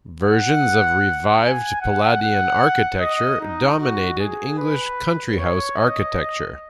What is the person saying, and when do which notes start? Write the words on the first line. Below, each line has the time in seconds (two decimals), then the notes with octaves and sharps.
Versions of revived Palladian architecture dominated English country house architecture.
0.23 F#5
1.42 G#5
1.81 F#5
2.21 F#5
3.00 D#5
3.40 D#4
3.80 F#4
4.19 G#4
4.58 B4
5.38 C#5
5.78 D#5